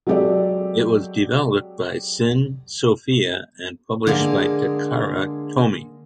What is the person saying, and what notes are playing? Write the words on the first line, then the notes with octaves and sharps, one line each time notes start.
It was developed by syn Sophia and published by Takara Tomy.
F#3 G#3 C4 G4 A4 D5
D3 G#3 A#3 G#4